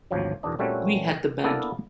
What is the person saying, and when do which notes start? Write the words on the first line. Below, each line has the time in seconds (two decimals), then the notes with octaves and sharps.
We had the band.
0.11 G#1 D2 F3 F#3
0.43 E2 B2 D#3 D4 D#5
0.59 A#2 G3 A3 C4 C#4 F#4
1.44 A#3 B3 D4 E4 A4 A#4